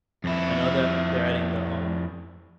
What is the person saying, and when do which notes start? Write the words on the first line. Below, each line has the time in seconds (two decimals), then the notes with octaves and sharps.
I know that they're adding the, um,
0.24 F2 E4